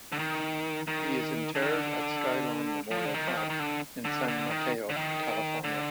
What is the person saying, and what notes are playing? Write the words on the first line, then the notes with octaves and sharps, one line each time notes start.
He is interred at Skylawn Memorial Park in San Mateo, California.
D3
D#3
D#3
D3
D#3
D3
F3
D3
D#3
F3
D#3
D#3
D3
D3
D3
D#3
D3
D#3
D3